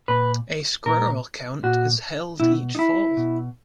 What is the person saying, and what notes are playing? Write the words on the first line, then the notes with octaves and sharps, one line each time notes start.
A squirrel count is held each fall.
A#2 B4
A#2 A#4
A#2 F#4
B2 E4
D#4
E4
B2